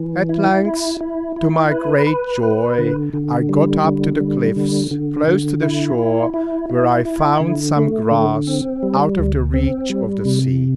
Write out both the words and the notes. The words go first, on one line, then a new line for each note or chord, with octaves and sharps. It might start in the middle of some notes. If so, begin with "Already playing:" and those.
At length, to my great joy, I got up to the cliffs close to the shore, where I found some grass, out of the reach of the sea.
Already playing: E3
E4
E4
E4
E4
B4
B4
B4
D3
D3
G3
D3
G3
D3
D3
D3
E4
E4
E4
E4
E4
D3
A3
D3
C4
G3
D2
C4
G3
C3